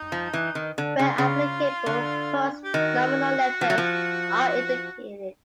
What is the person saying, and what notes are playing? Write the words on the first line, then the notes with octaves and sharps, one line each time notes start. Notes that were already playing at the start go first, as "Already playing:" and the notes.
Where applicable, post-nominal letters are indicated.
Already playing: D#4
F3
E3
D#3
D3
C#3 F4
C#3
D3
G4
D#3 F#4
F3
F#3
F3